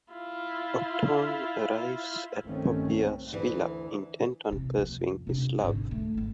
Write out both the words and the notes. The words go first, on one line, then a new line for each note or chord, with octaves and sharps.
Ottone arrives at Poppea's villa, intent on pursuing his love.
E4 F4
B1 G2 D#3 A3 C4 C#4
D2 E3
E2 C3
F2
C3 D4
G#1 D3
A3
G#1 G#2